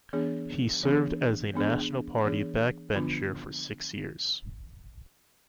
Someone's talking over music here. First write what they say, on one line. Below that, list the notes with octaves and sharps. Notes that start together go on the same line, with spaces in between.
He served as a National Party backbencher for six years.
E3 B3 D4 G#4
E3 B3 D4 G#4
E3 B3 D4 G#4
E3 B3 D4 G#4
D3 F3 B3 D4 F4